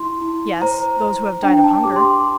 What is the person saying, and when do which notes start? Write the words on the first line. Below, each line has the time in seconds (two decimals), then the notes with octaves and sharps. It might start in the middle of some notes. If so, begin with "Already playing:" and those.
"Yes; those who have died of hunger."
Already playing: E4 C6
0.21 E4
0.62 C5 A#5
1.02 C5
1.43 D4 G5
1.64 A5
1.84 G4 D6
1.96 C6
2.05 D6